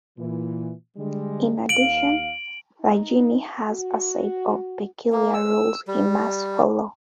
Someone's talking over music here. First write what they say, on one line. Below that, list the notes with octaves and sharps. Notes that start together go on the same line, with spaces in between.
In addition, the Jinni has a set of peculiar rules he must follow.
A#2 E3
D3 G3 G#3
D#2 F5 D7 F#7
D#4
F#4
A#3
E6
G3